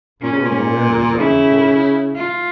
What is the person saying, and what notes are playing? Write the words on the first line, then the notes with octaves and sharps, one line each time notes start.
"With one of the lanterns out of the Porpoise."
A#2 C#4
C#3
A#2
C#3 E4
F4